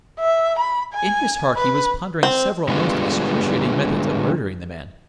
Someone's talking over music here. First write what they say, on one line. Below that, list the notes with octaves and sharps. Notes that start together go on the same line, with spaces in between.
In his heart he was pondering several most excruciating methods of murdering the man.
E5
B5
G#5
B4
C4
D3 G3 G#3 B3 E4 F4